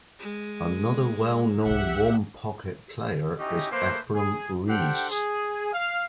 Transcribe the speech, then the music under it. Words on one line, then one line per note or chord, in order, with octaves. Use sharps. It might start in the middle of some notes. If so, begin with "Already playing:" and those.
Another well-known one-pocket player is Efren Reyes.
G#3
C2 C3 G4 E5 F#5
C#4 D#4 E4 F#4 G4
A3 A#3 B4 C5
G#4
D4 G4 A4 C5 F#5 G5
G#4
F5